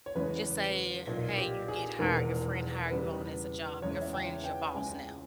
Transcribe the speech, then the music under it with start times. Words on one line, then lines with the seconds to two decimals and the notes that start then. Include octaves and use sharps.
just say, "Hey. You get hired. Your friend hire you on as a job. Your friend is your boss now,"
0.06 C#5
0.15 E2 C#3 E3 G#3 B4
1.07 B1 A#2 A#3
1.38 G4
1.68 G#4
1.99 E1 E2 D#3 G#3 A#4
2.90 E2 C#3 G3 B3 B4
3.82 E2 C#3 G#3 C#5
4.01 E5
4.13 G5
4.44 G5
4.74 C#2 C#3 G#3 G#5